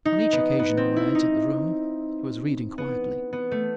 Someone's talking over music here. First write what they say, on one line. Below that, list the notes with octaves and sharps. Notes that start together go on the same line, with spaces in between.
On each occasion when I entered the room, he was reading quietly.
D#4
B3
B3
C4
E4
D#4
B3
B3
A3